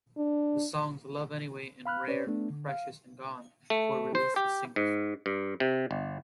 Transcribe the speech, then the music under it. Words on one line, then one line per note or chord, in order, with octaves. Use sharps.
The songs "Love Anyway" and "Rare, Precious and Gone" were released as singles.
D4
F5 B5 F6 F#6
C#4 B4 C#5 D5
A3 B3 D4
D3
F5
A3
C5
G4
G#2
G2
C3
G1